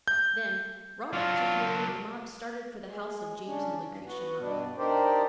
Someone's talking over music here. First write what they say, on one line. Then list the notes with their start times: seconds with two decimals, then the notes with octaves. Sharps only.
Then, wrought up to fury, the mob started for the house of James and Lucretia Mott.
0.08 G6
1.13 F#3 D4 F4
2.87 G#3
3.46 C#3 C#4 D4
3.83 G2
4.05 B3 F#4
4.39 G2 B2 B3 D4
4.78 D4 D#4 G4 A#4 C5 D5